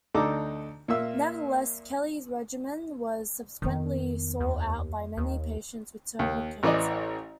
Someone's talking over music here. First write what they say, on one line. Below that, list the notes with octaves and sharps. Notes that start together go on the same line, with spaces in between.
Nevertheless, Kelley's regimen was subsequently sought out by many patients with terminal cancer.
D2 D4 D#4 A4 A#5 D6
A#2 A#3 E5 E6
F2 D#3 B3
D#2
D#2
D#2
A1 E3 D5 D#5